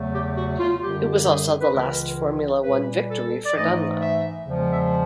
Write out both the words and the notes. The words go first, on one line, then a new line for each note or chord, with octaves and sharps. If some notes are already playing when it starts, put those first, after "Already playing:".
It was also the last Formula One victory for Dunlop.
Already playing: E2 C#3 F#3 A3
G4
F#4
F4
F#2 D3 G3 G4
G4
G#4
B4
C#2 C#3 E3 G#3 A#4
A#2 G3 B4
A4
D5
G#2 E3 A3 D#5
E5
E2 C#3 F3 G#3
E5